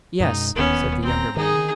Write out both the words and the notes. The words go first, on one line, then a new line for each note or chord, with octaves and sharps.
"Yes," said the younger man.
F#2 B2 G#3 D#4
D1 D#2 D#3 B3 C#4
C4 A#5
D#3 D#4 G#4